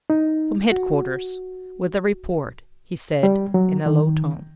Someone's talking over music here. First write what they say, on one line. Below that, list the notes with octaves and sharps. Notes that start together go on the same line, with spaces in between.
"From headquarters--with a report," he said, in a low tone.
D#4
F#4
G3
F#3
D#3